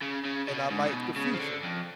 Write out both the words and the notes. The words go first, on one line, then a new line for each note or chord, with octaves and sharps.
and I like The Future,
C#3
C#3
B2
G#2
C#3
B2
C#3
F3
D3
F2